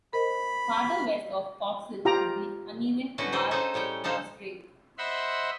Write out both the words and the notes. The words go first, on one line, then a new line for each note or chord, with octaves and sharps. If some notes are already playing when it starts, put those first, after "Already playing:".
Farther west of Pogson is the uneven Mare Australe.
A#4 C5 D#5 B5
F4 G4 G5 A#5
A2 D3 C#4 F#4 B4
D#4 C5 D5 D#5
C#4 D#4 G#4 A4 C5 G#5
A2 G3 C#5 G5
D3 D#4 A4 C5 F5
C5 D#5 E5 F#5 B5 C6